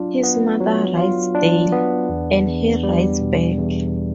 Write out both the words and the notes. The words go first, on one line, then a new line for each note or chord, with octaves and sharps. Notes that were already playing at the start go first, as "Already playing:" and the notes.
His mother writes daily, and he writes back.
Already playing: F#3 D4 F4
B3
F#3
F4
D4
B3
E2
E2
G3
B2
E2